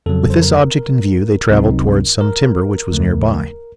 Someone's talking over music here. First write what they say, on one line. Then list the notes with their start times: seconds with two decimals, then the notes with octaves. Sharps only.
With this object in view they traveled towards some timber which was near by.
0.06 F2 C#3 F#3 A4
0.30 C5
0.42 A#4
0.78 A#4
1.49 C#2 C3 F#3 C4 D#4
2.21 A#4
2.92 D#2 C#3 F3 A3